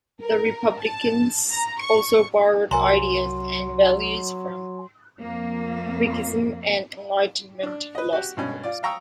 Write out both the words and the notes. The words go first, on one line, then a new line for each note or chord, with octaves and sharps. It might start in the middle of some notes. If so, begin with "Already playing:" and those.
The republicans also borrowed ideas and values from Whiggism and Enlightenment philosophers.
A#4
A5
A#5
C#6
C2 F#3 A#4 G#5 A#5 C6
F2 A#3
D4
B4 D#5
F#4 G4
G2 B2 C#4
F4 D5
F5 G5 A#5 C#6 D#6 E6